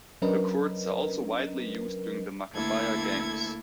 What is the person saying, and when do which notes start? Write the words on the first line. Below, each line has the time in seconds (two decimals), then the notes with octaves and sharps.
The courts are also widely used during the Maccabiah Games.
0.22 F#3 C#4 D4 A#4 B4 D#5
2.54 D2 A#3 E4 A4 G#6